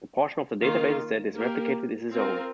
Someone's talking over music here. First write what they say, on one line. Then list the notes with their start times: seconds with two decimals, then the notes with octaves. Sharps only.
The portion of the database that is replicated is a zone.
0.62 D#3 A#3 F4
1.37 A#3 G4 A#4
2.12 C4 F4 A#4